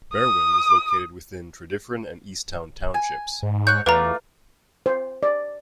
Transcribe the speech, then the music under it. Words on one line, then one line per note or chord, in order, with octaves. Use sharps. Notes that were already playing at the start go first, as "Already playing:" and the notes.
Berwyn is located within Tredyffrin and Easttown Townships.
D#6
G#5
G#2
C#5 F#6 G6
E2 A3 F4 B4 A#5 D6
C5
D5